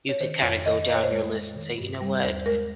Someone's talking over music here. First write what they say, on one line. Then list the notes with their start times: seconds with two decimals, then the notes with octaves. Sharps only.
you could kinda go down your list and say, "You know what?"
0.09 C#5
0.20 D#3 C5
0.42 F2 C#5
0.66 D#3 D#5
0.88 F2 D#5
0.95 C#5
1.03 C5
1.10 G#3 C#5
1.33 G#3
1.56 D#3
1.78 G2
2.01 G3
2.24 D#2 C5
2.46 G#3 A#4